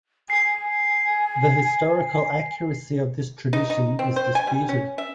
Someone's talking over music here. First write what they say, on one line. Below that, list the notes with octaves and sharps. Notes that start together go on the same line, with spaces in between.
The historical accuracy of this tradition is disputed.
G#5 C7
D#4
D#4
C4
C5
G#5
G3
C#4
E5